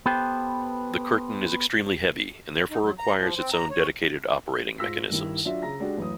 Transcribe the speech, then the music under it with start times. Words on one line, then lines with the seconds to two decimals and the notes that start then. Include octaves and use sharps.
The curtain is extremely heavy and therefore requires its own dedicated operating mechanisms.
0.06 B3 G4 A4 B4 C5 G5
2.71 D#4
2.83 F#3
2.98 A#5
3.19 F3
3.35 C4
3.52 A#5
3.70 C#5
4.78 G#2 F4 E6 A#6 B6
5.10 G2 D#3 E4
5.45 F#3 D4 F4 F#4 E5
5.62 C#3 A#5 A#6
5.80 G#3 D4 F#4 G4
5.98 A1 F#2 D#6